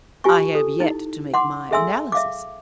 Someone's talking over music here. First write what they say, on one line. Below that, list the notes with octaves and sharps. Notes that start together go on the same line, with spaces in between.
"I have yet to make my analysis."
F4 G4 G#5 A5 C#6
A4
D#4 E4
F#5 C6 D6
G#4 A4 E5 G#5 C6 E6
E5 F5 D6